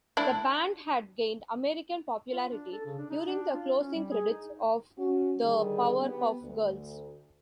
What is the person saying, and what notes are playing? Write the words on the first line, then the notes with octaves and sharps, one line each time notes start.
The band had gained American popularity during the closing credits of "The Powerpuff Girls".
D4 E4
F4
D4
A4
C#3
D4
D#4
D4
F4
C#4
G3
G#4
D#4
C#4 F#4
D3 D#3 G3 G#4
B3 G4
D2